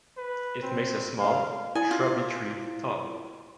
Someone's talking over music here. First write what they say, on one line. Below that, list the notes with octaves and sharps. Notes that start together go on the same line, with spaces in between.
It makes a small, shrubby tree tall.
B4
C4
F5
E4 G#5
F4